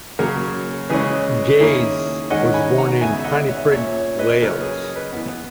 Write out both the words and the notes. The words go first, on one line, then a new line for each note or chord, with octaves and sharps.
Gaze was born in Pontypridd, Wales.
C#3 F#3 A#3 C#4 A#4 C#5
C#3 E3 G#3 C#4 G#4 B4
D#3 A#3 C#4 E4 G#4
D#3 G#3 C#4 D#5 F#5
G#5 B5
F#5 A#5
C#3 G#3 B3 E5 G#5
E5
D#5 F#5
C#5 E5
A#2 A#3 C#4 C#5 E5
B4 D#5
C#3 F#3 C#4 A#4 C#5
G#4 B4
B4 D#5
E3 B3